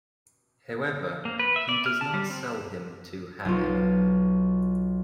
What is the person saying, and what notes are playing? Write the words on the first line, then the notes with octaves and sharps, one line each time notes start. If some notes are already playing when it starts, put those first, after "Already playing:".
However, he does not sell him to Hamegg.
A#3
B4
E5
D5
F6
A5
G3
C4
B1 F4